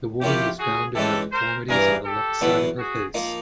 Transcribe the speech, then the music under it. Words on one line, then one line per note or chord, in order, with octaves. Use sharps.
The woman was found to have deformities on the left side of her face.
C3 F3 A#3 C#4 E4 F4 G4
F#4 G#4
E3 G#3 C#4 G4 A4
A#4 C5
G2 E3 G3 G#4 A#4
G4 A4
E2 B2 F#3 B3 E4
F#4 G#4
F3 A#3 D#4